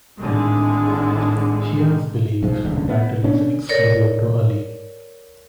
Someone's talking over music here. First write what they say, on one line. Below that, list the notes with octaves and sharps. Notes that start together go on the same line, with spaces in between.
Shias believe the title is exclusive to Ali.
G#1 A2 D3 G#3
B1 G#2 F3
D#1 C#2 D3
B3
B2 D3 C#4 D4
A4 A#4 C#5 D5